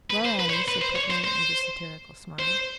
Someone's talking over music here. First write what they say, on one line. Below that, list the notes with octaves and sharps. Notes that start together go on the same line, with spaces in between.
"Well, Annie," said Putney, with a satirical smile.
B4
C5
B4
C#5
C5
B4
C5
C#5
C5
C5
C5